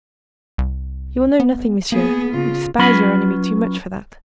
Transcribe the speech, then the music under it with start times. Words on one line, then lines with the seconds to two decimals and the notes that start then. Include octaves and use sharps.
"You will know nothing, monsieur; you despise your enemy too much for that."
0.58 C2
1.40 B3
1.92 A#3 B3 G#4
2.32 C#3 F4
2.79 F#3 C#4 F4 B4 B5